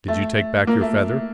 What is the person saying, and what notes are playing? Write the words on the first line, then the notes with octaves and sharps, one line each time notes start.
Did you take back your feather?
A3
A#3
A3